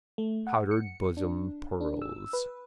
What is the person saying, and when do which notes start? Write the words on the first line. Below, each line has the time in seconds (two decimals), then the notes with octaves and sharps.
Powdered bosom pearls.
0.18 A3
0.47 F#5
0.71 C#7
1.17 D4
1.81 D4
2.02 E6
2.33 B4